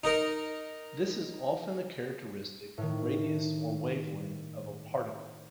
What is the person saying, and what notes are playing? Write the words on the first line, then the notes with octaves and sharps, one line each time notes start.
This is often a characteristic radius or wavelength of a particle.
D#4 A#4
A2 D#3